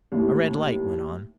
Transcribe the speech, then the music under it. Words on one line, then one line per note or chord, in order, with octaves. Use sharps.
A red light went on.
D#2 A2